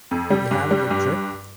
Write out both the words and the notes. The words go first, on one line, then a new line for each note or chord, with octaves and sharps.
Did you have a good trip?
F2
G3
G2
G3
G2